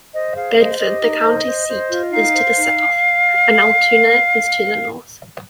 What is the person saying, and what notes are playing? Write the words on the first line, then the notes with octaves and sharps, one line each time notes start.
Bedford, the county seat, is to the south, and Altoona is to the north.
C5 D#5
G#4 F5
C5 D#5
G4 D#5
D#4
C5
C5
C5
F4
D#4 F5
C5
D#4